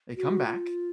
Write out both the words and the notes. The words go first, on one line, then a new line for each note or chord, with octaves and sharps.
they come back,
F#4
F4